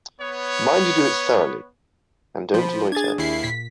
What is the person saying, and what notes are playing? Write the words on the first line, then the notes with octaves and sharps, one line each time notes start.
Mind you do it thoroughly, and don't loiter.
B3 C#5
F3 C5 B5
D4 G#4 G#6 A6
D#2 E4 C7
A#2 B6